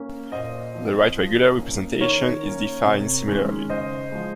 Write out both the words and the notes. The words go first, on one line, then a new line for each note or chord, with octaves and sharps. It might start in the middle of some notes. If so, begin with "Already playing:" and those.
The right regular representation is defined similarly.
Already playing: A#3 C#4
A#2 C5 D#5
F3 C4
F3
A#3 C#4
D#3 A#4 C#5
A#3 C#4
C3
D#3 G#3 C#4
C#3 C5 D#5
F3 G#3